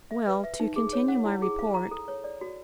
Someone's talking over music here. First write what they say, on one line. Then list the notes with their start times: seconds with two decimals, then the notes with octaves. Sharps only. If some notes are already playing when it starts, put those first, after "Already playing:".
Well, to continue my report.
0.11 E5
0.27 B4
0.44 E5
0.60 D#4
0.76 G#4
0.93 C#5
1.08 F#5
1.25 E4
1.42 G#4
1.59 F5
1.74 A#5
1.91 A4
2.08 C#5
2.24 D5
2.41 F#4